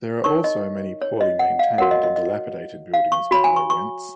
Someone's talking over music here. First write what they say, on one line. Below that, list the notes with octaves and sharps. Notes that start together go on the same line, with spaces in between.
There are also many poorly maintained and dilapidated buildings with low rents.
D#4 A#4 C#5 C#6
D#5
C#5
D#5
F#5
F5
F#4 A#4 C#5 F#5
D#5
D#5
D#5
F5
C#6
F#4 C#5 B5
G#5
C#6
C#6